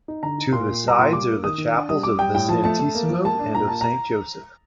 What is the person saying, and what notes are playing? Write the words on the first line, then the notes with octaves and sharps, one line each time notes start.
To the sides are the chapels of the Santisimo and of Saint Joseph.
D#4
D3 A#5
D#4
A#2 C6
A#2
G3 A#5
A#2 C6
G3 D6
A#3
D#3 D#6
D#3
D4
G3 D#6
G3 D6
G3 G5
A2 G5
F3 A5
A3 A5
A3
A#3
F3
A#3 A5
D4
A#2 A#5
A#2 A5
A#5